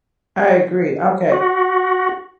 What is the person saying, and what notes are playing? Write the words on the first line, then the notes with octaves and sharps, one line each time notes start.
I agree, okay.
F#4